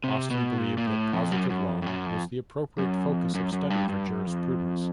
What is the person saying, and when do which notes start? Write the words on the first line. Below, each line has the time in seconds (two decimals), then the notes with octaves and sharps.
Austin believed that positive law was the appropriate focus of study for jurisprudence.
0.04 C3
0.30 B2
0.58 A#2
0.78 A#2
0.87 A2
1.13 F2
1.32 F#2
1.50 F#2
1.68 F2
1.82 F2
1.86 F#2
2.06 F2
2.78 F#2
3.06 F2
3.35 F#2
3.53 F#2
3.70 G2
3.89 G2
4.07 F#2
4.26 F2